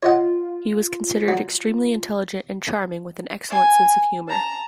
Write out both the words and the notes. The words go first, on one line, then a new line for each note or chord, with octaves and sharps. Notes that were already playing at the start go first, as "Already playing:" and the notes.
He was considered extremely intelligent and charming with an excellent sense of humor.
F4 C#5 D#5 F#5
F#3
G#5
A5 A#5